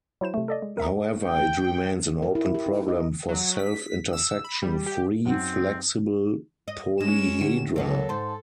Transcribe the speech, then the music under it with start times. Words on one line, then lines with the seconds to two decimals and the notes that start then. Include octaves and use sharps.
However, it remains an open problem for self-intersection free flexible polyhedra.
0.21 F#3 E4 C5 E7
0.34 C3 A3
0.48 A4 D5 D#5
0.62 G#3
0.77 A#4 E5 A#5
1.26 G5
2.22 A#4
2.35 E4
2.55 G4
2.66 D#4
2.88 D#5
3.29 F#3
3.59 B6
4.13 E6
4.44 B5
4.62 G3
4.86 G4
5.25 F#2 C4 D#4 F#5
6.68 D#5
7.00 G#3 C#4 E7
7.41 E2 D3 E4 G4
7.76 F#3 A#3 B3 A4
8.09 G#2 C5 A5